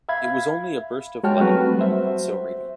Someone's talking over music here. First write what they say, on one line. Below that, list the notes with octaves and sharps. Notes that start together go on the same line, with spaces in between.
It was only a burst of light that had been so radiant.
E5 F5 B5 G#6
G#3 F#4 C#5 G5 A5 F6
F#3 G3 A3 C4 F#4 B4
C5 E5